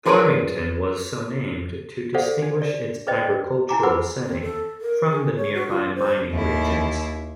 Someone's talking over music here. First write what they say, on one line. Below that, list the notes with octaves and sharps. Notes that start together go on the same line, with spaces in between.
Farmington was so named to distinguish its agricultural setting from the nearby mining regions.
F4 G#4 A#4 B4 C#5 D5
G#4 A4 C5 D5 F5 F#5
D4
D5
G#4 B4 C5 D5 D#5 G5
E4 G#5 A#5 D6
B4 C5 F#5 B5 D6 E6
C4
A4
A#4
G#4
C#5
F#4
F4
C5
D#2 E4